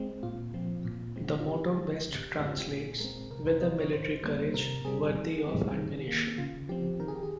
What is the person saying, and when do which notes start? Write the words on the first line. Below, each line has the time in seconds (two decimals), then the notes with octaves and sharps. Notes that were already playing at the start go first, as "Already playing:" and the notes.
The motto best translates - "With a Military Courage Worthy of Admiration".
Already playing: G#3 C4
0.23 A#2 F4
0.54 F3 C4
0.85 A#2
1.16 G#3 C4
1.40 F4
1.46 C#3 G4
1.77 F3 G#3
2.08 C#3
2.39 G#3 C4
2.48 F4
2.59 G4
2.69 A#2 G#4
3.00 G#3 C4 A#4
3.30 C3 A#4
3.46 C5
3.61 F3 C4 D#5
3.78 C#5
3.93 D#3 C5
4.23 G3 A#3
4.54 C3 A#4
4.85 G3 C4 G#4
5.15 D#3
5.46 G3 C4
5.77 D#3
6.08 A#3
6.38 C#3 F4
6.69 F3 C4 G4
7.00 D#3 A#4
7.08 G#4
7.15 G4
7.23 G#4